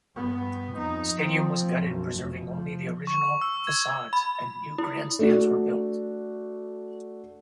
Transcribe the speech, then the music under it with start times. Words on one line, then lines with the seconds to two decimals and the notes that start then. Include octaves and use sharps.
The stadium was gutted, preserving only the original facades, and new grandstands were built.
0.16 G2 B3
0.76 F2 D#4
1.20 F3 C4
1.80 B1 F#2
2.15 F1 B2
2.49 F3
3.07 C#6
3.41 E6
3.67 G#6
4.13 B5
4.78 E4
5.19 A3 D4 F#4